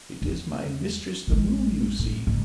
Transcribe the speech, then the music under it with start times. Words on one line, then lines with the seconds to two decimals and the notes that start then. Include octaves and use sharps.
'It is my mistress, the Moon, you seek.
0.22 E2
1.27 A1 G#3
1.99 A2
2.27 G#2 C#3